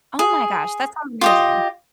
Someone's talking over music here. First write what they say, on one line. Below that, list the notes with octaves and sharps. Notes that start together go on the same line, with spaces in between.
Oh my gosh, that sounds amazing.
G#4
F4 G4 D#5